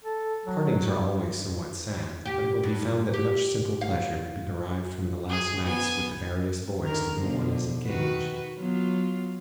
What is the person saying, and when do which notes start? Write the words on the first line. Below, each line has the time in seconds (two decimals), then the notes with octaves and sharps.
Partings are always somewhat sad, but it will be found that much simple pleasure may be derived from the last nights with the various boys to whom one is engaged.
0.04 A4
0.46 F#3
0.61 F#3
0.87 G3
2.26 G4
2.63 G2
3.14 G4
3.81 F5
5.30 G#4
5.66 B3 G#5
6.84 D3 D#3 A#4
7.16 B2 D3 F3
7.85 D#3 F#4 B4
8.57 F#3 B3 F4